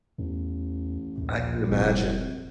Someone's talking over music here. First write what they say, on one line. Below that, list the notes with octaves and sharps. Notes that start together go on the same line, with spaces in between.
I can imagine.
A1 E2
A#1 D#2
F1 C2